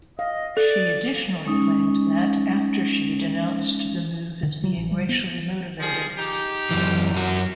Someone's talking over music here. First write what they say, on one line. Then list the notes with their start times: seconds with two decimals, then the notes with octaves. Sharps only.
She additionally claimed that after she denounced the move as being racially motivated.
0.19 D#5 F5
0.57 A4 D5
1.46 G#3 C#4 D#4
4.43 D3
4.64 F#3
4.77 A1
4.91 G3
5.09 B3
5.80 F3 G3 G#4
6.17 D#4 G4
6.71 F#2 E3
7.14 F#2 F#4